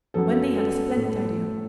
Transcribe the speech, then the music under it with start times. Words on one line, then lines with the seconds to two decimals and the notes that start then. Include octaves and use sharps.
Wendy had a splendid idea.
0.14 F#2 F#3 B3 A4
0.56 A4
0.96 A2 A3